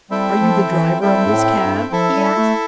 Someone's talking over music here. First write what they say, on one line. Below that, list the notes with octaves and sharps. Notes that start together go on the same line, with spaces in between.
"Are you the driver of this cab?" he asked.
G3 C4 E4 A4 E5 G5
F3
E3
G3 C4 E4 A4 E5 G5
G2
A2
G2
F3 E4 A4 E5
G3
A3